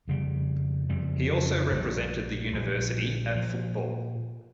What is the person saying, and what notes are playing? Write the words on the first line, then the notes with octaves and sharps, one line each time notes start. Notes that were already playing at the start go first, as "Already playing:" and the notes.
He also represented the university at football.
F2 C#3 G3
F2 C#3 G3
A#1 A#2 G3
A#1 A#2 G3
A#2 F3